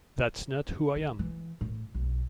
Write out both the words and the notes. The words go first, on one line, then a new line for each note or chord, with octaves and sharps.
That's not who I am.
D3
E3
A2
B1